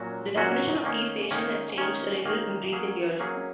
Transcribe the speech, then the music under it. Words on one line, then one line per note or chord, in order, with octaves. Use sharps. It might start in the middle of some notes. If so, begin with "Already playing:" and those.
The definition of key station has changed a little in recent years.
Already playing: A#2 F#3 C#4 F#4
A#2 F#3 C#4 F#4
D#3 A#3 C#4
D#3 A#3 C#4
D#3 A#3 C#4
D#3 A#3 C#4
F#3 A#3 C#4 G#4
F#3 A#3 C#4 G#4